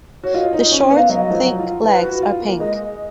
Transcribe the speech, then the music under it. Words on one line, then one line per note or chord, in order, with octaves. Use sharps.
The short, thick legs are pink.
F#4 C#5
F4 D#5
D#4
C#4
B3
F5
F#3 D#5
F3
F#3
F4
F4 B4
F#4
F4
A#3
G#3 D#5